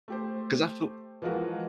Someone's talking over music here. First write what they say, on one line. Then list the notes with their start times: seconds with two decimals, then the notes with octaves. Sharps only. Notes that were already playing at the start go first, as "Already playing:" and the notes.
'Cause I feel
0.08 A3 G4 C5
1.22 E3 F3 G#3 F4 F#4 A#4